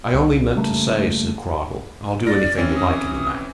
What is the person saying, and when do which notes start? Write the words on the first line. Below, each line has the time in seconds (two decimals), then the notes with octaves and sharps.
"I only meant to say," said Cradell, "I'll do anything you like in the matter."
0.14 C2
0.56 C#3 G3 A3 A#3
2.27 D5 F6 A#6
2.57 E3 C4 C#4
2.76 D#6